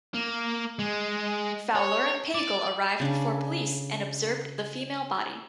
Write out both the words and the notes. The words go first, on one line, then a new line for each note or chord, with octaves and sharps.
Fowler and Paegel arrived before police and observed the female body.
A#3
G#3
C#5
D5
C#3 D4